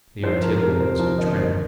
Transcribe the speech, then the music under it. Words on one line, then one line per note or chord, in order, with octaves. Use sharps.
The artillery was in trim.
F3 C5
F3 A#4
C3 A#4
F3 C5
F3 C5
G1 A#4 D#5
C5
D#2 A#4 D#5